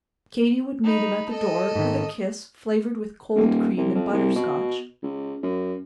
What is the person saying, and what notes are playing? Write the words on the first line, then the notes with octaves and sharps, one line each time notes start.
Katy would meet him at the door with a kiss flavored with cold cream and butter-scotch.
D#4 B5
A4 D#5
G#2 D#3
D#1
C2
F2
C2
B2
C#2
F#2